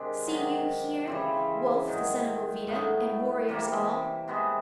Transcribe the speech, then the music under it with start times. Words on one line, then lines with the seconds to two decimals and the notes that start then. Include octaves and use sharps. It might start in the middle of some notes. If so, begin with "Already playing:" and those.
'See you here, Wulf the son of Ovida, and warriors all!
Already playing: C3 D#3 G#3 D4
0.27 C3 D#3 F#3
1.07 C#3 E3 G3 C4
1.88 G#2 D#3 F#3
2.68 A2 F#3 A3 B3
3.49 C3 E3 G3 A#3
4.28 C3 E3 G#3 B3